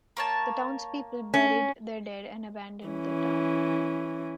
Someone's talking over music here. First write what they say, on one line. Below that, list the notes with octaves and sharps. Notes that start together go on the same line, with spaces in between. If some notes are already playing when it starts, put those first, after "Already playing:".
The townspeople buried their dead and abandoned the town.
A#3 C#5 A5
C#4
E3 C#4